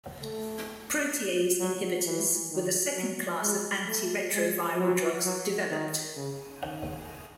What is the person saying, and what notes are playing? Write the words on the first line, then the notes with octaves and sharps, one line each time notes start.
Protease inhibitors were the second class of antiretroviral drugs developed.
A3
F#3
E3
D#3
F#3
G#3
A3
G#3
F#3
F#3
D#3
C#3
D#3